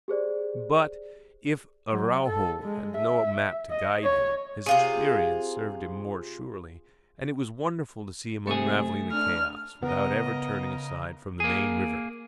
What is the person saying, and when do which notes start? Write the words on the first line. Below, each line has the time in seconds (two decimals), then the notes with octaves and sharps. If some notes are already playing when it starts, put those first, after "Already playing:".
But if Araujo had no map to guide him, his experience served him more surely, and it was wonderful to see him unraveling the chaos, without ever turning aside from the main river.
0.08 G4 G#4 C5 D5
1.92 F#3
2.28 A4
2.63 G#3
2.97 E5
3.70 D#5
4.04 C#5
4.66 C3 F4 G#4
8.47 C3 A3 G#4
9.13 D4 F6
9.83 C#3 B3 A#4 D#5
11.40 A#3 G#4